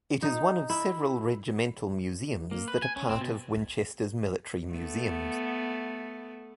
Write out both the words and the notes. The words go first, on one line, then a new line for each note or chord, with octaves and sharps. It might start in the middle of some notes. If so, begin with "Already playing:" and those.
It is one of several regimental museums that are part of Winchester's Military Museums.
D#4
E4
A#3
B4
G#5
C#4
C4
B2
A3 B3